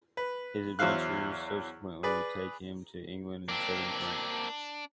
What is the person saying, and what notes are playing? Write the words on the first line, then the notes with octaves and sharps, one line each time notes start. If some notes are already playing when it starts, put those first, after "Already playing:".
His adventures subsequently take him to England and Southern France.
B4
E2 F#3 C5 E5 F5 F#6
G#4 B4 D5
A#3 C4 D4